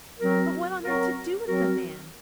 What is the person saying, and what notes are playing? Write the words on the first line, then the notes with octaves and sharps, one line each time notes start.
But what on earth to do with the man?
F#3 C4 F#4 A#4
F#3 C4 F#4 A#4
F#3 C4 F#4 A#4